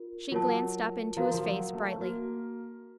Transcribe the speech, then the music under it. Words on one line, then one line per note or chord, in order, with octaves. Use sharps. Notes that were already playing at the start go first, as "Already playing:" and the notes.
She glanced up into his face, brightly.
Already playing: F4 A#4
F#3 F4 A#4 C#5 A5
F3 F#4 A#4 F5 A#5
F3
F#3
A3
A#3 F#4